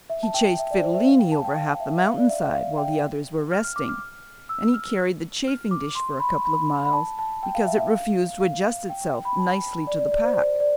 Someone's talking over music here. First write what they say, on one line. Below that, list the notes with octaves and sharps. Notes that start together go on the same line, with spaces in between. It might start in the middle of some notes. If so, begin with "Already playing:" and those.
He chased Fidilini over half the mountainside while the others were resting, and he carried the chafing-dish for a couple of miles because it refused to adjust itself nicely to the pack.
E5
A5
G5
E5
D5
C5
E5
F5
G5
A5
G5
F5
E5
E5
F5
D5
E5
E5
F5
G5
F6
F6
D6
F6
E6
F6
F6
D6
C6
B5
B5
B5
A5
A5
G5
F5
E5
E5
F5
F5
G5
G5
B5
A5
D5
D5
D5
C5
D5
D5